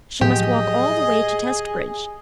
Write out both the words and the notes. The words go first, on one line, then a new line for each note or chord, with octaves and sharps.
She must walk all the way to Testbridge.
A2 F3 F#3 G4 G#4 D#5